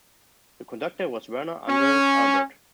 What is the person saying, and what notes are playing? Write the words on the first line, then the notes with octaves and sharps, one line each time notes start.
The conductor was Werner Andreas Albert.
C#4